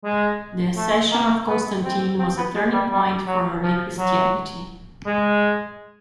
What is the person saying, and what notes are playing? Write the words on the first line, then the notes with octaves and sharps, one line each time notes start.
The accession of Constantine was a turning point for early Christianity.
G#3
A3
A#3
B3
C4
C4
B3
G#3
G3
G3
F#3
F3
F#3
G#3